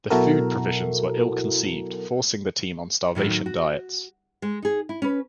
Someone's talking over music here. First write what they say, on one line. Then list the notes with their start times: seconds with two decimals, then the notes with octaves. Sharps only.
The food provisions were ill-conceived forcing the team on starvation diets.
0.10 B2 F#3 E4 F#4 A4 A#4
3.15 A2 D#3 F#3
3.46 F#4
4.42 G#3
4.62 D#4 G#4
4.89 E4
5.02 C#4 B4